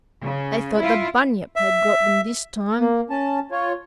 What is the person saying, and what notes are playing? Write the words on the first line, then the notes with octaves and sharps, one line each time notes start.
They thought the Bunyip had got them this time.
C#3
E4 F4
E5
A#3
C#4 A5
F4 C#5